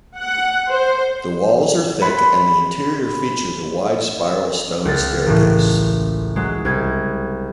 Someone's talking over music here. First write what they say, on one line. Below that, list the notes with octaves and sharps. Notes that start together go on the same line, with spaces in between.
The walls are thick, and the interior features a wide spiral stone staircase.
F#5
C5
F#5 B5 C6
C#2 A#4 A6
A1 A2
F#3 G#3
C2 G#6